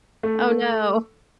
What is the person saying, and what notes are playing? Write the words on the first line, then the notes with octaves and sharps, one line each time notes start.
Oh, no.
A3